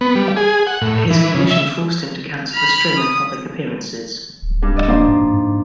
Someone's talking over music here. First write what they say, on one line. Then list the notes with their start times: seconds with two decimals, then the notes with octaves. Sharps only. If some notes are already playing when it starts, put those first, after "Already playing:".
His condition forced him to cancel a string of public appearances.
0.01 B3
0.15 G3
0.37 G#4
0.67 F#5
0.81 A2
1.10 E3
1.35 C#3
1.51 E5
2.53 B5 F6
2.98 D#6
4.42 D1
4.62 G2
4.76 D#1 D5 D#5
4.88 F3 A#3 D4
5.08 G#2
5.33 G#2